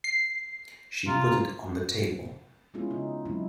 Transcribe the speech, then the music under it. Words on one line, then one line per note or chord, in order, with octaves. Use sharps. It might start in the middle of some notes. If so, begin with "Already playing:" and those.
She put it on the table.
C7
C3 F4 A#5
G#3 B3 C#4 E4 F4 G#4
C#3 D#4
F#3 G#3 C4 D#4 E4